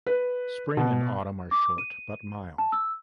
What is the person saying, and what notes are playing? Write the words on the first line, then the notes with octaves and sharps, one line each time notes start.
Spring and autumn are short but mild.
B4
B2
D6
D#7
A5
E6